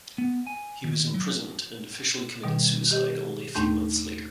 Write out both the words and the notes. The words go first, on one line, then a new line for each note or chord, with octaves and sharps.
He was imprisoned and officially committed suicide only a few months later.
B3
G#5
D#3
F#3
B2 D#3 G3
G4 D#5
D#2 A2 A3 D4 C6 G6